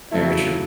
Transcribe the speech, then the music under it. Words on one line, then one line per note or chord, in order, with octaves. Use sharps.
Very true.
C#3 F#3 A3 E4